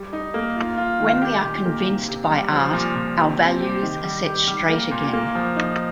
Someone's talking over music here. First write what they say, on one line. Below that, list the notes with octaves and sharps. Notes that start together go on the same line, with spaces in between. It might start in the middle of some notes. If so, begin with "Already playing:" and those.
When we are convinced by Art our values are set straight again.
Already playing: G3
D#4
A#3
F4
F4
D#3
G4
A#2
A#3
C3
C3
G3
F3
A#2
A#2
C3
C4
G4
D#3
G3
G4
G3
A#3
A#2
A#3
F3
D#4